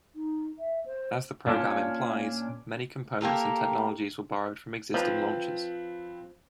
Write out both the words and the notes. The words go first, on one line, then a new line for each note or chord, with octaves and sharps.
As the program implies, many components and technologies were borrowed from existing launchers.
D#4
E5
C5
A#2 C#4 D4 F4 C#5
A#3 G4 A4 A#4
F3 C4 B4